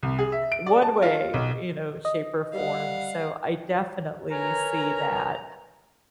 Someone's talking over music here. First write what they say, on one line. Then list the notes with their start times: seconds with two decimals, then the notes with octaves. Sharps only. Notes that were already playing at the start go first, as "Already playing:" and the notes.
One way, you know, shape or form, so, I definitely see that,
0.03 C2
0.19 G#4
0.32 E5
0.52 D7
0.66 D5
0.82 A5
1.02 F4
1.34 B1
2.05 D#5
2.54 G3 F5 F#5
4.31 A#4 B4 C#5 G#5 A#5